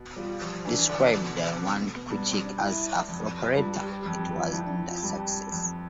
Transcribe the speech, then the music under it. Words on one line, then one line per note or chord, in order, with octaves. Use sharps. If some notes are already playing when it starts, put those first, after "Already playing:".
Described by one critic as a "floperetta," it was not a success.
Already playing: B2
G3 F4
F3
E3 D4
D3
B2
C4
A3
B3
G2 B3
C4
D4
E4
F2
G2 F4
G4
G4
F2 G4
G4
F4
F2 E4
D4
E4
F4
G2 G4
F2